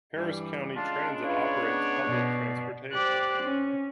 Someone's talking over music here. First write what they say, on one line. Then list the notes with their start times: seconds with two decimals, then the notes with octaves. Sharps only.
Harris County Transit operates public transportation.
0.15 G2 E3 G3
0.76 C#3 G#3 D4 F4 A5
1.24 F4 B4 C#5
1.65 B3
2.08 B2 D5
2.92 G4 C5 D5 F#6
3.42 C#4